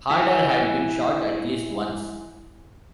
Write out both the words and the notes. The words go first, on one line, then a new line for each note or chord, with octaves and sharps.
Harder had been shot at least once.
E4 G#5